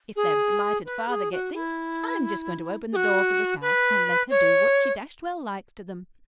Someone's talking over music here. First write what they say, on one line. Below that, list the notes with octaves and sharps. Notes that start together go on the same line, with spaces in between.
If their blighted father gets in, I'm just going to open the door for the sow, and let her do what she dashed well likes to them.
G#4
B4
G#4
F#4
E4
G#4
F#4
B4
C#5